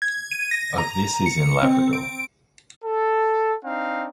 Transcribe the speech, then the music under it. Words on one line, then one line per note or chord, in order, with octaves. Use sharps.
Of this is in Labrador.
G#6
D#7
A#6
A#5
C#7
C4
D7
A4
C4 D4 D#4 F5